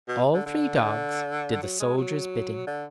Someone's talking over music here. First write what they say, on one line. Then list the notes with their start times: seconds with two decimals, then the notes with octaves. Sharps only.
All three dogs did the soldier's bidding.
0.08 B2
0.33 D3
0.46 D3
1.63 F#3
1.80 G#3
1.98 F#3
2.67 D3